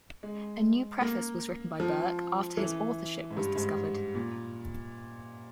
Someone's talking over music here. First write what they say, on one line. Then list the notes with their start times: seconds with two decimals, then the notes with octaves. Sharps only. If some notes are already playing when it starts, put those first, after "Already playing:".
A new preface was written by Burke after his authorship was discovered.
0.23 G#3
1.01 A#3
1.80 F3
2.57 E3
3.31 G#2
3.37 G2
3.56 G#2
4.15 A#2